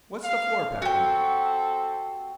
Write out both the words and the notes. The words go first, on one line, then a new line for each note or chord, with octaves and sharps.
What's the floor-packing?
F5
C4 F#4 G4 A4